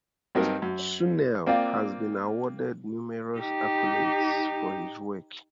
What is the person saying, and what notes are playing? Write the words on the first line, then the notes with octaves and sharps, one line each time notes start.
Suneel has been awarded numerous accolades for his work.
G2 F#3 C4 D#4 A#4 D#5
F#2
A#3 C4 F4 D5 F5 G5
D#4 G4